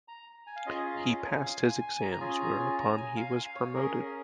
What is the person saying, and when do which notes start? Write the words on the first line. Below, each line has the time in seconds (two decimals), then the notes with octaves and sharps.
He passed his exams, whereupon he was promoted.
0.08 A#5
0.47 G#5
0.56 F5
0.66 C#4 F4 G#4 D#5
0.85 F5
0.96 A#5
1.05 G#5
1.24 G#5
1.43 F5
1.62 G#5
1.81 G#5
2.01 A#5
2.12 A#5
2.20 C#4 F4 G#4 G#5
2.40 A#5
2.59 G#5
2.78 A#5
2.97 G#5
3.17 F5
3.31 G#5
3.36 F5
3.56 C#5
3.74 C#4 G#4 A#4
3.94 G#4